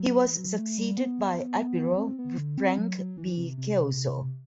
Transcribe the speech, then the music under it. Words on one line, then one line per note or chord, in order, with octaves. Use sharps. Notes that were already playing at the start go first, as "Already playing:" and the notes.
He was succeeded by Admiral Frank B. Kelso.
Already playing: F#3
E3
F#3
A3
G3
B3
C4
B3
D3
C4
F#3
F#3
E3
C3
C3